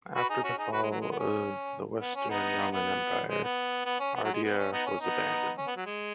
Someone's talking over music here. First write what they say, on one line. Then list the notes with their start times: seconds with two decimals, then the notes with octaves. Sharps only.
After the fall of the Western Roman Empire, Ardea was abandoned.
0.15 F#4 B4
0.30 D#4 G#4
0.43 C#4 F#4
0.57 D#4 G#4
0.72 F#4 B4
0.82 G#3
0.91 F#3
1.01 G#3
1.11 B3
1.19 C#4
2.01 B3
2.16 C#4
2.29 B3 D#4
2.72 B3
3.29 G#3
3.43 B3
3.86 B3
4.00 C#4
4.15 B3
4.24 F#3
4.33 G#3
4.44 B3
4.58 C#4
4.72 B3 D#4
4.86 C#4
5.00 B3 D#4
5.58 C#4
5.67 B3
5.77 F#3
5.86 G#3